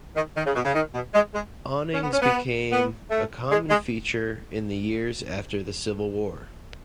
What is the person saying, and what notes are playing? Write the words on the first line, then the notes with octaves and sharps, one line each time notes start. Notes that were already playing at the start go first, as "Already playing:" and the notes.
Awnings became a common feature in the years after the Civil War.
D#3
D#3
C#3
B2
C#3
D#3
B2
G#3
G#3
C#4
B3
C#4
B3
B3
A3
G#3
G#3